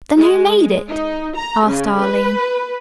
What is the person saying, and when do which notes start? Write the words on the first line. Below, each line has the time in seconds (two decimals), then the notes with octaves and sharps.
"Then, who made it?" asked Arline.
0.17 G#3
0.90 D#4
1.36 A#5
1.66 C#3
2.03 B4